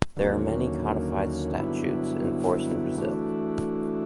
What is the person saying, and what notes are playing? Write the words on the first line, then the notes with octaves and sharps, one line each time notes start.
There are many codified statutes in force in Brazil.
D#2 D3 F#3 A#3 C#4
G2 D3 F#3 B3 E4
E3 A3 D4 F#4